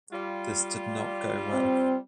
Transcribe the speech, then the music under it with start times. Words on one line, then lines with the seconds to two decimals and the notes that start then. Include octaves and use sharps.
This did not go well.
0.12 G3 F4
1.53 C4